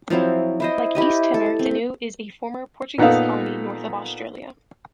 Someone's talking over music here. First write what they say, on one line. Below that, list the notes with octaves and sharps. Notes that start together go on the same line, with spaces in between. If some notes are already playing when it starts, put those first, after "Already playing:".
Like East Timor, Danu is a former Portuguese colony north of Australia.
F3 F#3 C4 E4
E4 C5 D#5
E4 G4 D#5
A4
C4
A#2 B3 D#4 A4 F5